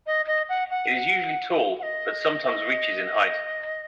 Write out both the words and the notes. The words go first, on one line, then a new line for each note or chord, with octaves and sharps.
It is usually tall, but sometimes reaches in height.
D#5
D#5
F#5
F#5
F#5
D#5